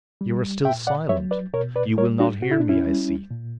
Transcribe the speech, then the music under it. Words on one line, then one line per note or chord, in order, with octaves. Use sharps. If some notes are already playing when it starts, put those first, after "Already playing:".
You are still silent? You will not hear me, I see....
G3
A#2 E5 G5
D5 F#5
F#3 C#5 E5
B4 D5
B2 A#4 C#5
B4 D5
G3 A#4 C#5
D4 F#4
A#2 F#4
E4
D4
C#4 E4
G3
A#2